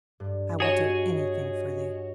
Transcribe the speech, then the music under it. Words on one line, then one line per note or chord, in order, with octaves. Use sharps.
I will do anything for thee.'
G2
F#4 G#4 C#5 D#5 G#5